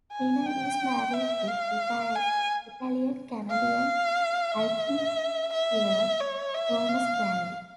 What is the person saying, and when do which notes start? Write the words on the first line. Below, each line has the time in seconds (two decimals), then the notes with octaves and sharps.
Renner is married to retired Italian-Canadian alpine skier Thomas Grandi.
0.12 G#5
0.47 G5
1.13 E5
1.48 F5
2.15 G#5
3.51 F5
4.51 E5
5.53 E5
6.21 C#5
6.54 E5
6.89 F5